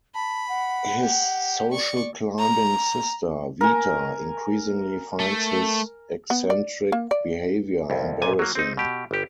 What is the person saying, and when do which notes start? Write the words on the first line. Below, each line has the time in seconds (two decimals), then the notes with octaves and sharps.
His social-climbing sister, Veta, increasingly finds his eccentric behavior embarrassing.
0.15 A5 B5
0.49 F#5
0.99 G4
1.71 D5 C#6
2.39 A#5
3.61 A#4 G#5
5.20 A3
6.30 B3
6.50 D5
6.92 A#3
7.11 D5
7.90 C2 F2
8.22 B1 A#2 G#5
8.39 F#3 A#3
8.55 C4 D#4
8.77 B2 G4
9.11 G1 G4